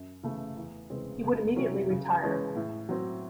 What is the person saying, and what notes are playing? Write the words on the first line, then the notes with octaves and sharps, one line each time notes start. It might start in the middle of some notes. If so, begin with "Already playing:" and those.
He would immediately retire.
Already playing: F#2
C#3 E3 A3
E2
C#3 E3 G#3 C4
C#2
C3 F#3 C#4 E4
C#3
E3 G#3 C#4
A2
F#3 C4